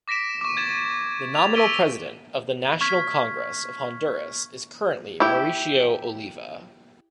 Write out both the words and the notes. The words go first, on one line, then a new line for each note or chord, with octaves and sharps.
The nominal President of the National Congress of Honduras is currently Mauricio Oliva.
D6 A#6 B6 D7 E7
C#6 D6
G#6 A6 E7
A6 F7
C#6 E6 B6 D7 D#7 G7
C#6 F6 G#6 B6
E4 G4